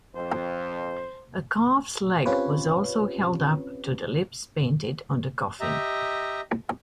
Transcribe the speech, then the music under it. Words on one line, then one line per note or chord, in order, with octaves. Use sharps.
A calf's leg was also held up to the lips painted on the coffin.
F2 C5
C4 C#4 F4 G4 B4 C#5
G4 D#5 E5 A#5